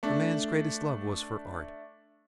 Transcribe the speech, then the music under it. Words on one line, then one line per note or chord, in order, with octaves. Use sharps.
The man's greatest love was for art.
A3 D4